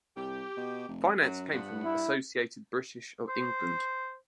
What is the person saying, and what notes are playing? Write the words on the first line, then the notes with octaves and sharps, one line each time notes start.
Finance came from Associated British of England.
C2 G4
B2
F1
F#2 F#3
G2 F3 B3 F#5
E4
C5